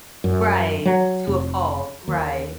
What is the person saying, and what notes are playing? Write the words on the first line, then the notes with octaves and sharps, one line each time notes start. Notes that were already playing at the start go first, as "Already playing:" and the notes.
Right, to a fault, right.
F#2
F#3
F1
D#2